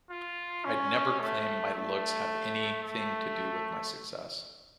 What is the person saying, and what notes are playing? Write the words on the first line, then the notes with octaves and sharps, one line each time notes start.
I'd never claim my looks have anything to do with my success.
F4
C#4
A3
A3
A3